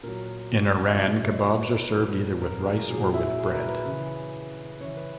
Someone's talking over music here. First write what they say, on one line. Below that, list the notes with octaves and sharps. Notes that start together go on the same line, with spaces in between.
In Iran, kebabs are served either with rice or with bread.
A#2 F#3 A#4
E5
B2 F#3 D#5
E5
C#5
D#5
C#5
B4
A#4
B4
A#2 F#3
A#4
G#4
A#4
A#2 F#3 G#4
F#4
E4
E4
G#4
B4
A#4
B4
C#3 E3
C#3 E3 C#5
B4